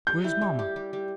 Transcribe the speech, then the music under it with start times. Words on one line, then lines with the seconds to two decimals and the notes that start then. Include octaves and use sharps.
Where's mama?'
0.07 G3 G6
0.24 E4
0.41 G3
0.59 G4
0.76 G3
0.93 G3